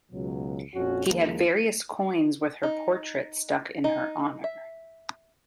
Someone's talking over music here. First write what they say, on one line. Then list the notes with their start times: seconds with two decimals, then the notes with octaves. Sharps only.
He had various coins with her portrait struck in her honor.
0.12 C#2 B2 F#3
0.75 A#1 F2 C#4 F#4
1.08 D#2 F3 G#3 A#3
2.63 D#4
3.84 D#4
4.44 E5